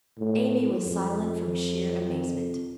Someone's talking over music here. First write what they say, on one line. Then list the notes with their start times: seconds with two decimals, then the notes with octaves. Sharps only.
Amy was silent from sheer amazement.
0.19 A2
0.86 F2